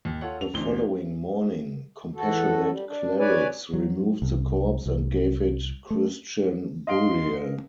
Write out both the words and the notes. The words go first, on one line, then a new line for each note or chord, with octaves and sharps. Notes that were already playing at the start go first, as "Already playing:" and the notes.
The following morning compassionate clerics removed the corpse and gave it Christian burial.
D#2
F4 A4 C#5 F#5
A4 F7
A1 D2 C4 D4 G7
E2 F#4 A4
G3
D4
B4 C#5 D5 G#5
F#3
C2
C2
A3
D#5 F5 C6 D7